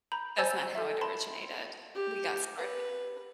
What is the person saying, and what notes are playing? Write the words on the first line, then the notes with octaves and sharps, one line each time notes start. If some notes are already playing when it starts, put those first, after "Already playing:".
That's not how it originated. We got started.
A#5 B5 G6
C5 G#5 A5 E6 G6 A6
A4 E5
A5 B5 C6
G4
B4